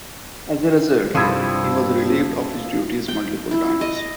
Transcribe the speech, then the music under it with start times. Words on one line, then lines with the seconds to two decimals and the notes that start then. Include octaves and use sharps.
As a result, he was relieved of his duties multiple times.
1.14 G2 C3 F3 E4
3.08 G5
3.51 E4
3.81 D#5